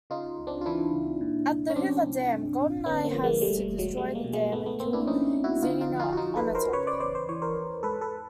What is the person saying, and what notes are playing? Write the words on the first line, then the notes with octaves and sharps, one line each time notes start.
At the Hoover Dam, GoldenEye has to destroy the dam and kill Xenia Onatopp.
C#3 D#4 F4
C#2
C4 D4
F4
E3 D4 E4
C#2
A#2
C2
C#4
F3 C4 D4
C2
G2
A1
D3 B3 C#4
A#3 C4
F3
G#3 A#3
B2 G3 A3
G3
E2
F#3 G#3
E2 G3 A3
G#3 A#3
B2
G#3 A#3
G#2 A3 B3
A3 B3
G#1 A#3 C4
D4 E4
F3 C#4 D#4
G#1
E4 F#4
D3 D#4 F4
D#4 F4
F2
D#4 F4
F#4
F3 D#4 F4
A4 B4
F2
A#4 C5
C#3 B4 C#5
C5 D5
E2 C5 D5
C5
E3 C#5
A#4 C5
E2
G#2 A4 B4
A4 B4